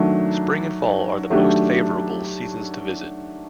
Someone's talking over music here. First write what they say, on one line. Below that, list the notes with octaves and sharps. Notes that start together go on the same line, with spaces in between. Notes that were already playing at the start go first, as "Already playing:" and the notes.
Spring and fall are the most favorable seasons to visit.
Already playing: D#3 F#3 A3 D4
D#3 F#3 A3 D4 G4